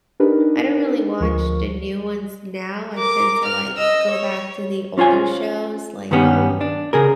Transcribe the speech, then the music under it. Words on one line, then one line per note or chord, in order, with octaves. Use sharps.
I don't really watch the new ones now. I tend to, like, go back to the older shows like, um,
D4 D#4 G4 A#4 B4
D2 F3 A#4 C#6
A#4 D6
F6
D#5 E6
C#5
C#4 F4 C5 G#5
G2 D#3 G3 B3 C#4
D4
C#3 G#4 A#4